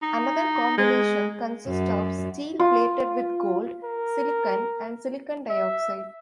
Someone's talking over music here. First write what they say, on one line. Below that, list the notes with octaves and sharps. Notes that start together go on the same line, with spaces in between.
Another combination consists of steel plated with gold, silicon, and silicon dioxide.
D#4
G#3
F#2
F4
A#4
E5